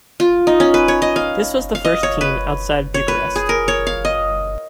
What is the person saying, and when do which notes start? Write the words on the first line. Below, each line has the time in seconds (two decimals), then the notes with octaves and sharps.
This was the first team outside Bucharest.
0.20 F4
0.47 D#4
0.60 C#4
0.74 B4
0.88 C#5
1.02 D#5
1.16 F5
1.75 F5
1.85 D#5
2.03 C#5
2.21 B4
2.94 C#5
3.08 B4
3.36 G#4
3.49 A#4
3.68 C#5
3.87 F5
4.05 D#5